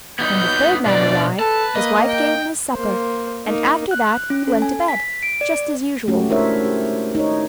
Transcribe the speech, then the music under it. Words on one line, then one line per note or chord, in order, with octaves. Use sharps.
When the third man arrived his wife gave him his supper, and after that he went to bed, just as usual.
B3 D#4 G6
B2 D4 D5
A4 B4 A5
A#3 D#5
G5
A#3 C5
A#3 D#4
F#6
C#4
A4
G#5
B6
D7
D5
G#3 A3 C#4 F#4 G4
D4 E4 A#4 C5 C#5 E5
G4
D#4 C#5